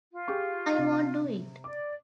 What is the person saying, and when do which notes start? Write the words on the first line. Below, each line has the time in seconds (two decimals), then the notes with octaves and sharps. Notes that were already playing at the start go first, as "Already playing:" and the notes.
I won't do it!
0.11 F4
0.28 G4 G#4 C#6
0.78 C3
1.64 D5 D6